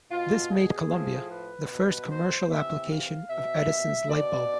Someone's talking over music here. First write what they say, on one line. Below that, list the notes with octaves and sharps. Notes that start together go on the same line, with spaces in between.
This made "Columbia" the first commercial application of Edison's light bulb.
B2 F4
G#4
A2 F3
B4
B2
C5
C3 E3 E5
F5
B2 E5
B2 D5